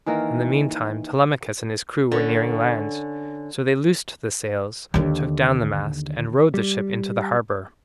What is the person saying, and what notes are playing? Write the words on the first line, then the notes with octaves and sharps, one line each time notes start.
In the mean time Telemachus and his crew were nearing land, so they loosed the sails, took down the mast, and rowed the ship into the harbour.
D#3 E3 A#3 A#4
D3 C#4
D#2 D3
G3